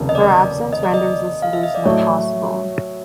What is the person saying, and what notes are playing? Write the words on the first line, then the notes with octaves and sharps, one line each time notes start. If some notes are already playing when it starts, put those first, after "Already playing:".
Her absence renders this solution impossible.
Already playing: F1 D#2 C#3
D#5
D5
D#5
D5
D#5
F5
E5
D#5
D5
A2 F#3 A3 C#5